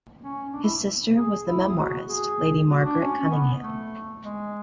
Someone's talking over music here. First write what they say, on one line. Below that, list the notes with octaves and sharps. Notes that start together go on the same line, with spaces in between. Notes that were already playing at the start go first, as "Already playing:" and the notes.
Her sister was the memoirist Lady Margaret Cunningham.
C#4
D4
E4
G#4
E4
G#4
F#4
G#4
F#4
D4
C#4
C#4
B3
A3
G#3